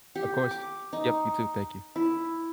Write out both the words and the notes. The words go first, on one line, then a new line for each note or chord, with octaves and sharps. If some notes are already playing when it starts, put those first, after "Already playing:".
Of course. Yup, you too, thank you.
G4
D6
D#4
E4